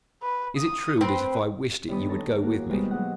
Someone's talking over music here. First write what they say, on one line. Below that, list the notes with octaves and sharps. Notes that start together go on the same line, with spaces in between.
"Is it true that if I wished it you would go with me?"
B4
D#6
C4 B4
D#2 A#2 G3 B3 B5 D#6
A4 C#5 A5 A#5 D#6
A#3 F#4 G#4
B2 G3 G#3 F4 C5
F#3 F#4 G#4 D#5 F#5